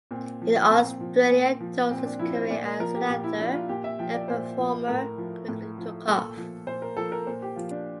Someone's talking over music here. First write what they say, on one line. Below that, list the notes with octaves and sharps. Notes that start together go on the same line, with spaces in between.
In Australia Dorsey's career as an actor and performer quickly took off.
A#2 C4
F3
A#2 C4
F3
A#2
F3
A#2 C4
D4
F3 E4
C5
A#2 D5
A#4
F3 A#4
G4
A#2 G4
E4
F3 D4
F4
A#2 G4
E5
F3 G5
D5
A#2 C5
F3
A2 A#4
F3
A2
F3
A#2 A4
F3
A#2 C5
A#4
F3 A4
A#4
A#2 C5
G4
F3 F4
D4